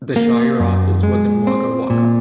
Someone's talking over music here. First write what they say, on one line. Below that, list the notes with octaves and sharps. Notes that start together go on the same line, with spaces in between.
The shire office was in Wagga Wagga.
A#3
F#2
G#3
C4
A#2